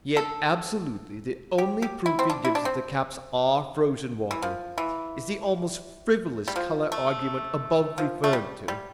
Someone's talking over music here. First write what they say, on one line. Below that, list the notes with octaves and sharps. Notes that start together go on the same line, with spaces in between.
Yet absolutely the only proof he gives that the caps are frozen water is the almost frivolous colour-argument above referred to!
A4
G4
G4
E4
C4
D4
E4
D4
C4
E3
F3
E3
G3
F3
A3
F3
A3
G3
G3